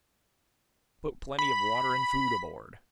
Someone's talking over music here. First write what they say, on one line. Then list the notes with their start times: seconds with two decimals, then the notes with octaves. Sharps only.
"Put plenty of water and food aboard."
1.39 B5